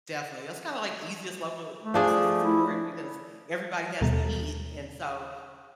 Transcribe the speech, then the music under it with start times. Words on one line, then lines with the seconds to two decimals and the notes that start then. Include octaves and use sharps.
definitely. That's kinda, like, the easiest local business to support because everybody has to eat, and so,
1.82 A3
1.94 F3 D4 G#4
2.44 E4
4.01 D#2 B2 G3 A4 A#5 A6